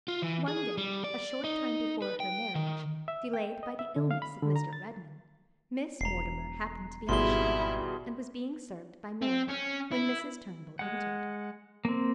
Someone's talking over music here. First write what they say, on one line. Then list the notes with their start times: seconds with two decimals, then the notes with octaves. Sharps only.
One day, a short time before her marriage, delayed by the illness of Mr. Redmain, Miss Mortimer happened to be in the shop, and was being served by Mary, when Mrs. Turnbull entered.
0.08 F4
0.22 E3
0.48 G#4
0.77 G3
1.04 D5
1.44 D#4
2.02 B4
2.20 G5
2.55 D#3
3.08 E5
3.34 G5
3.63 D#5
3.79 E5
3.96 D3
4.11 F5
4.22 B5
4.43 D3
4.56 A#5
4.73 A6
6.01 E1 A#5 C7
7.09 G#1 B2 G3 E4 G#4 C6 G7
9.22 C4
9.49 C#4
9.92 E4
10.79 G#3 F#5
11.85 A#3 C4